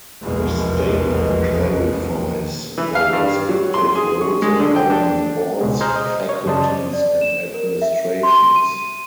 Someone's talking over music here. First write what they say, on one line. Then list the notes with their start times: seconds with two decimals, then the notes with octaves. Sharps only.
The statement clarifies the respective roles of governing boards, faculties, and administrations.
0.22 F1 A#1 E2 B2 G#3 A#3
2.78 E3
2.95 F5
3.13 G2
3.49 F#3
3.74 C6
3.95 G#4
4.21 C#6
4.42 G#3
4.60 D3
4.76 G5
4.90 D4
5.61 C#2 B2 G#3
5.81 G#4 C5 A#5 F6 G6
5.96 D#5
6.29 C#5
6.46 F#2 C#3 C5 D5 D#5 A5
6.93 D5
7.21 E7
7.54 A#4
7.82 E5
8.23 C6
8.56 D#7